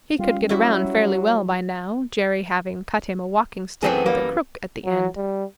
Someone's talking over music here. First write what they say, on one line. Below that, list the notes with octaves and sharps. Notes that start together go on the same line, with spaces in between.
He could get around fairly well by now, Jerry having cut him a walking-stick, with a crook at the end.
G3 C#4 F4
F#3 E4 F#4
F#2 E3 A3 B3 C4 G#4
G3 A#3
F#3
G3